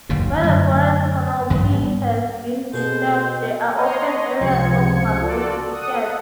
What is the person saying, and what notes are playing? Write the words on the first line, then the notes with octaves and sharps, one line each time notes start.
Where the forest canopy has been disturbed there are open areas of bamboo thickets.
F#1 D#2 G#2 B2
F#2 D3 A3
A1 G2 E3 F#3
G#2 G3 B3
B2 C4 G#4 A4 C5
C#5 D#5 A#5 C6
C#2 C3 F3 G#6 C#7
F4 F#4 A4 D5
A4 F#5 D#6